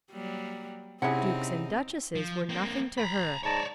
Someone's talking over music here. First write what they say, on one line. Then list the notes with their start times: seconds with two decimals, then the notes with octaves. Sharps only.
Dukes and duchesses were nothing to her.
0.12 F#3 G3 A#3
1.02 C3 C4 C#4 D#4 E4 G#4 F#5
2.15 F3
2.49 A#3 C4
2.98 A#5 B5
3.43 G#2 C#5 D5 A5 A#5